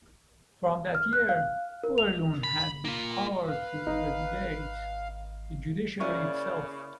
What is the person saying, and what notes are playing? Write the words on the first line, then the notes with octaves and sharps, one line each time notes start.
From that year, Overloon had the power to regulate the judiciary itself.
F6
F#6
F5
A#4
F7
B5
A#3 F4
B4 F5
G#1 D#4
C#3 A#3 C#4 E4 D5 C#6